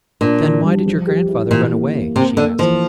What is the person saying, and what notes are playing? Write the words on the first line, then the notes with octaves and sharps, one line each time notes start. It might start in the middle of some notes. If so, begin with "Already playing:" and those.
"Then why did your grandfather run away?" she asked.
A#2 D4
E3
G3
F3
G4
E4
A#2 E3
A#3
A#3
C3 A#3
D3 A#3
E3 F3